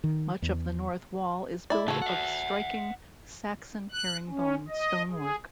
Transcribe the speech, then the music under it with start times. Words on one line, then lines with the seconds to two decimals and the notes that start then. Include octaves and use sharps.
Much of the north wall is built of striking Saxon herringbone stonework.
0.04 D#3
0.42 E2
1.70 E4 D5
1.88 A2 C#3 F#4 G#4 A4
2.02 E5 F#5
3.92 F#6
4.29 C#4
4.68 D#5
5.11 G#4